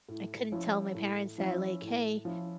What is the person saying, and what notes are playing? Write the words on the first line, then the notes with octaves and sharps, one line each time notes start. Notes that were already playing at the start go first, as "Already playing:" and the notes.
I couldn't tell my parents that, like, "Hey,
A2
F3 C#4 E4
A2
F3 C#4 E4
A2
F3 C#4 E4